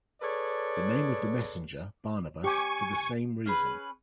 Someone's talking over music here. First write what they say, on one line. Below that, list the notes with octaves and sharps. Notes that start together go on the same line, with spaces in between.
The name of the messenger, Barnabas, for the same reason.
G#4 A4 B4 C#5 D5
G4 G#5 C#6
C#4 G#4 B4